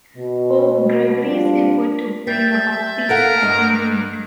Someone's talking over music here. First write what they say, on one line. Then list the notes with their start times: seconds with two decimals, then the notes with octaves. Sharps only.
Pope Gregory's efforts to bring about peace had been ruined.
0.16 B2
1.22 F3 G3 C4 D4 F4
2.27 G3 E5 G6 A6
3.09 A4 A#4 F5 F#5
3.43 G2 D#5